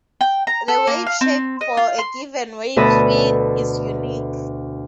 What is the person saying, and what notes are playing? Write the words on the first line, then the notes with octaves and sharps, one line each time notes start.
The wave shape for a given wave speed is unique.
G5
A#5
A4
A#3
F5
C4
D#5
F4
C6
D2 B2 A4 B4 D#5 B5